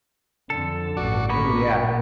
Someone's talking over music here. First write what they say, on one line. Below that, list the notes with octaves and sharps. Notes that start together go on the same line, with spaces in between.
Ooh, yeah.
F2 D3 A4
A1 G2 F#4 D5
A#3 B3 B5 C#6
A#2